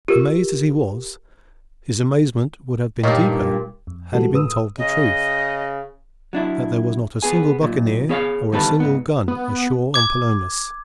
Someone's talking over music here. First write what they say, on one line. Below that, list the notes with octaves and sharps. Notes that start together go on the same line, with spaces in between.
Amazed as he was, his amazement would have been deeper had he been told the truth: that there was not a single buccaneer or a single gun ashore on Palomas.
F4 G4 A#4
G2 A#2 D#4 C#5 F5
F2
C#3 E3 G3 G#3 F#4 A4
A2 B4 D#6 E6
C#3 D#5
F#3 D4 E4
B3 G#4 G#5
B1 A#2
B3 G#4 C#5 E5 F5
D2 D#3 G3 B3 A4 B4
G#2 B3
B3
D6 G#6